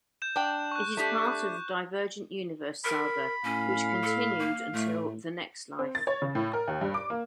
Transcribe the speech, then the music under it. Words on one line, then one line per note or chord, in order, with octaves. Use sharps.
It is part of the "Divergent Universe" saga which continued until "The Next Life".
G6 E7
D4 G5
C#6 F#6
A3 D4 G4
A#4 B5
A2 C#4 F5
A4
A#3
A2 A3
C4
A6
C#5
C#3
A2
A#4
D#2
G2
D6
A#3